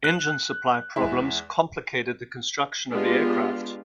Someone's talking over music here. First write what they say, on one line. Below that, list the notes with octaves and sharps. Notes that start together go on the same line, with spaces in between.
Engine supply problems complicated the construction of the aircraft.
F#6
E2 G#3 E4
G#3 B3 D4 F4 G4